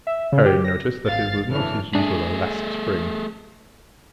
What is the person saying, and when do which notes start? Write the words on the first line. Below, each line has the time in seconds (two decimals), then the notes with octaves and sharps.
Harry noticed that it was not his usual elastic spring.
0.07 E5
0.32 C#3
0.46 G4
0.65 A#6
1.06 G#1 F5 A6
1.50 F#2 E3 D4 A4 C#5 F6
1.95 A3 D4 G#4